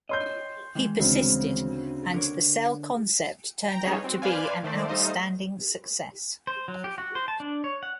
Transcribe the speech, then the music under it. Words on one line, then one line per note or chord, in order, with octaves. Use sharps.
He persisted, and the cell concept turned out to be an outstanding success.
C#5 D#5 C6 G6
D#3 E3 G#3
D2 C#3 C4
D3 A#4 C#5
G5 A#5
G3 B3 C#4 D#4 G#4 C#5
C4 F#4
B4 C5 D5 F5 G#5
D#3 A3 C5 D5
G3 A3 D#4 C5 D#5 F5
C5
F#3
G4
F#4
C5
A5
D4
C#5
F#5